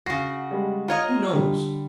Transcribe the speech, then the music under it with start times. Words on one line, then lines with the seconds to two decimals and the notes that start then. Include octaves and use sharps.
Who knows!
0.06 C#3 F#4 A#6 C7
0.51 G3 G#3
0.88 F4 C#5 D#5 A#5
1.33 D3 G3